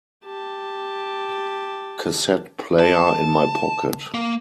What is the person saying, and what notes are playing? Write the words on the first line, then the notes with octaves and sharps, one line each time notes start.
Cassette player in my pocket.
G4 A5
A5
A#3